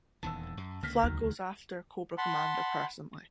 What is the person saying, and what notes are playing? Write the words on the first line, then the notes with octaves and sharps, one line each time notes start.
Flagg goes after Cobra Commander personally.
D#1 E2 D#3 A5 E6
F#2
C#2 D3 A#3 F6 A#6 B6
D#2 D#3 F#3
F#5 A5 B5 C6